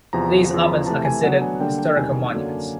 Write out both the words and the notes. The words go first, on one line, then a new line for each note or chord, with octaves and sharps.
These ovens are considered historical monuments.
E2 C3 F3 A#5
E2 C#3 F3
C3 E3 A3 A5
G#5
D3 F#3 B3 D4 F#5
G#5
D3 G3 A#3 D4 G5
G5
E2 C3 D#3 G3 G#5
F#2 D3 F#3 A#3 D4